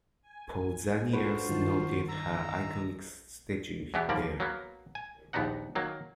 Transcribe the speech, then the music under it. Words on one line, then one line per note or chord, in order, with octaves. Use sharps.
Pausanias noted her iconic statue there.
G#5
D4 F4 F#4 A4 B4 C5 A5
G2 D#3
D#5 A#5 E6
E2 B2 E3 B3 G4
D#2 F3 G3 A#3 D5
F#3 A#3 B3
G#5
A#1 D#2 B3 D4 D#4 F#5
D#3 F#3 A#3